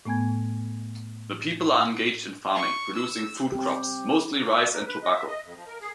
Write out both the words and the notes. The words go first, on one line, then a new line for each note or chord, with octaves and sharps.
The people are engaged in farming, producing food crops, mostly rice and tobacco.
A2 A3 B3 G#5 G#6
C#6
E6
C4 G4
A#3
E5
A#4
B4
D#5
E5
D#5
F2
F3
A#4
G#4